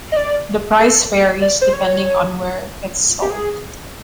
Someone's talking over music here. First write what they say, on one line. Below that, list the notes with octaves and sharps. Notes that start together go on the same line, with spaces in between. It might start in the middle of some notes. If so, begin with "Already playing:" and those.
The price varies, depending on where it's sold.
D#5
D5
A4
D5
C5
C#5
G4
G#4